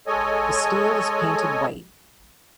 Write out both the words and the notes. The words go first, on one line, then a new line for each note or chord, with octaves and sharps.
The steel is painted white.
G#3 A4 C#5 D#5 G#5